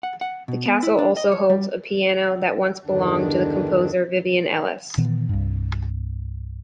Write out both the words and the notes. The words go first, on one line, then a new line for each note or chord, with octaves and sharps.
The castle also holds a piano that once belonged to the composer Vivian Ellis.
F#5
F#5
B2
B3
E4
D4
D#5
C#5
G3
E2 G2 D3 D#3 D4
A#2 D#3 E3 B3
C2 G2